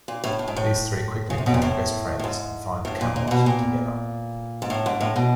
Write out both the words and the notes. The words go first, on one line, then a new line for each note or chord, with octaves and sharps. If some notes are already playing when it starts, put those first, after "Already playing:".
These three quickly become best friends and find Camelot together.
A#2
A2
A2
G#2
A2
C#3
C3
B2
A#2
A2
A2
G#2
A2
A#2
A#2
A#2
B2
A#2
G#2
A2
G#2
A2
B2